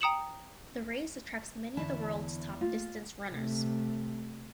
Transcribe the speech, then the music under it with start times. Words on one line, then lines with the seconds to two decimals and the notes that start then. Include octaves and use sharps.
The race attracts many of the world's top distance runners.
0.01 G5 A#5 D#6 C#7 E7 F#7
1.77 E2 D3 E3 E4 A5
2.61 A3 A#3 F4
3.30 C3 A3